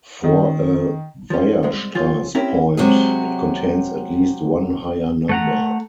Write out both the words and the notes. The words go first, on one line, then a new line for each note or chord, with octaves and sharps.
For a Weierstrass point it contains at least one higher number.
D#3
F3 C#4
C2 G#3
F3 F#3 F4 G#4
C4 C#4 E4 G4 G#4 A#4
C3 F#3 G#3 G#4
A3 F#5 A#5